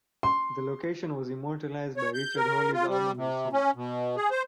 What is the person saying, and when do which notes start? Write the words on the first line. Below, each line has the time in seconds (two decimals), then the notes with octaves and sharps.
The location was immortalised by Richard Hawley's album and song.
0.23 C6
1.97 C#5
2.14 G6
2.36 A#4
2.73 F4
2.88 G3
3.17 C3
3.53 C#4
3.76 B2
4.16 G#4
4.31 C5